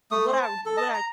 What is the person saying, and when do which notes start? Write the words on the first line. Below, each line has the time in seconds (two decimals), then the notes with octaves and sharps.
what I what I
0.11 A3 D#6
0.27 C5
0.43 A5
0.66 A4
0.77 D#5 A5
0.94 A#5